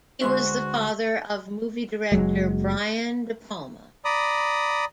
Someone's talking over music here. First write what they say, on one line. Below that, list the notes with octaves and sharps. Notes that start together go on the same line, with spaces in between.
He was the father of movie director Brian De Palma.
D2 G#3 F#4 C5 E5 C6
F#1 E2 F#3 G#3
D5 A#5 B5 D#6